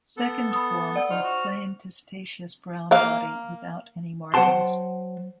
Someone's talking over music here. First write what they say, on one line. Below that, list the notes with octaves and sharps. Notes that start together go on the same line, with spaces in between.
Second form with plain testaceous brown body without any markings.
B3 A4
B5 D#6
D5 F#5
D#4 F4 C5 F6
F#4 F6
A#3 F5
F#3 C5 F#5 G5 A5 C6